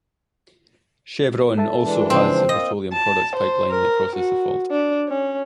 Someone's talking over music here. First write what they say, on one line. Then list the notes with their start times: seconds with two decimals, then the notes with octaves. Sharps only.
Chevron also has a petroleum products pipeline that crosses the fault.
1.58 A4 E5 A5
1.82 E3 G#3 D4
2.10 C#3 F3 C4
2.25 C5
2.49 A#3 F4 D#5
2.92 A5
3.36 C5
3.70 A#4
4.16 F#4
4.71 D4
5.08 C#4